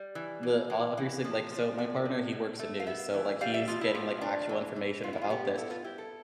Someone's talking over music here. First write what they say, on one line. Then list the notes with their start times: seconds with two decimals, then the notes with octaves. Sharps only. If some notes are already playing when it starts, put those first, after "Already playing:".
the uh, every single like, so, my partner, he works at news, so, like, he's getting, like, actual information about this,
Already playing: G3
0.15 E3
0.43 E3
0.70 E3
0.97 E3
1.24 F3
1.51 F3
1.78 A2 D5
2.05 A2
2.32 B2
2.59 A3
2.80 F5
2.86 B3 E5
3.14 E3
3.41 G3 F5
3.54 E5
3.68 B2 F4
3.81 E4
3.95 A2 F4
4.21 D4
4.49 E3
4.76 E3
5.04 B3 F4
5.13 E4
5.22 F4
5.30 B3 G4
5.58 E4 A4
5.71 F4
5.84 E4 G4
5.98 A4